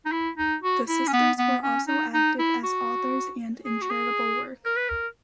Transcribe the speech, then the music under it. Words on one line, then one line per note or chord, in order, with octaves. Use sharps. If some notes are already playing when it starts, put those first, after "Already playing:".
The sisters were also active as authors and in charitable work.
D#4
E4
D#4
F#4
E4
C#4
B3
B3
C#4
D#4
D#4
E4
F#4
G#4
F#4
G#4
A#4
B4
A#4